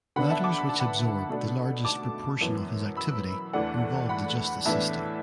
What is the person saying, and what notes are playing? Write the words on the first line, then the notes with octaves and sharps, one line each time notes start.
Matters which absorbed the largest proportion of his activity involved the justice system.
D3 B3 D4 F#5 B5
E5 A5
A5 D6
B5
A5
F#5 B5
B2 A3 D4
A5 D6
F#2 E3 B3
B5 E6
E2 E3 A3 D4 D5 F#5
F#5 B5
A2 E3 B3 D4 E5 A5